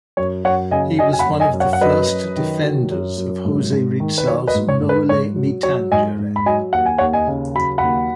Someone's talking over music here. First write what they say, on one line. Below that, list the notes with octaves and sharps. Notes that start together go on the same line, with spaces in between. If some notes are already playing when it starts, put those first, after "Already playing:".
He was one of the first defenders of Jose Rizal's "Noli Me Tangere".
F#2 C#5
F#2 C#5 F#5
C#3 D#5 G#5
F#3 D#5 G#5
G#5
F#5 B5
F#2
D#5 G#5
F#2
C#5 F#5
F#5
F#2 B4 D#5
F#2
D#3
F#3
F#2
F#2
G#2
G#2
D#3
B4
F#3 C#5
B4 D#5
G#2
C#5
G#2
B4
G#2 C#5
F#3
F#3 C#5
G#2 D#5 G#5
G#2
B5
F#3 D#5 G#5
D#2 F#5
G#5
D#2 C#5 F#5
D#5 G#5
C#3
F#3 B5
D#2 F#5 B5